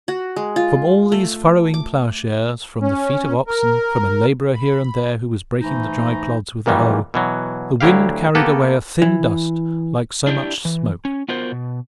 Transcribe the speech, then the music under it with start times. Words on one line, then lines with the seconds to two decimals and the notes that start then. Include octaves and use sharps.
From all these furrowing ploughshares, from the feet of oxen, from a labourer here and there who was breaking the dry clods with a hoe, the wind carried away a thin dust like so much smoke.
0.08 F#4
0.36 G#3
0.56 F4
1.12 A3
1.74 D6
2.81 C#4
3.47 A#4
4.54 B5
5.61 G#2 E3 A3 D#4
6.66 F#2 A#2 D#3 E3 G3
7.14 B2 E3 F#3
7.81 D2 F#3 E4 G4 F5
8.35 A#3 B3 G4 A4 B4
9.02 E3
10.27 D4 E4 F#4 G4
10.65 E3
11.05 C#4
11.29 B3 F4 F#4 A#4 C5
11.52 B2